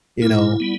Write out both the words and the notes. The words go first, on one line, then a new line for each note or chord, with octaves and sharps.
you know
A#2 E4
G3 B3